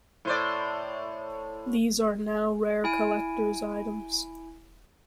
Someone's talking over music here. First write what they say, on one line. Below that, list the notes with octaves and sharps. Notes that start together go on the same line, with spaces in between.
These are now rare collector's items.
A2 C5 D5
E4 G#5 D7